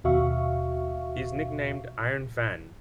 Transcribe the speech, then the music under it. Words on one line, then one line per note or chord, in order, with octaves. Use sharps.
He is nicknamed "Iron Fan".
D#2 B2 F#4 E5 F5 C#6